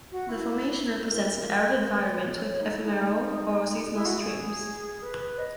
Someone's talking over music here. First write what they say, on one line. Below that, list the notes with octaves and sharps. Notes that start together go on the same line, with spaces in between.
The formation represents an arid environment with ephemeral or seasonal streams.
F#4
E4
A#4
B4
C#5
C#5
D#4
E4
D#4
E4
F#4
G#4
B4
B4
D#5